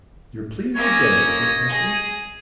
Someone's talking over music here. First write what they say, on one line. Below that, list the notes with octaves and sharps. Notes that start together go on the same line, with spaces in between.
'You're pleased to-day,' said Bessie.
A#3 C#4 C#5 D#5
G#4